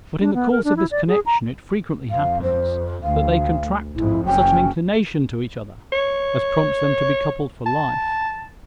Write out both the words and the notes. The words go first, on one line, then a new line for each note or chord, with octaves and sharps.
But in the course of this connection it frequently happens, that they contract such an inclination to each other, as prompts them to be coupled for life.
D4
B3
A#4
D4
E4
D5
G#4
A#5
F2 F5
C5
D2 F5
A1 F2 G#2 E4
F#1 F#3 C#4 G5
C#5
A5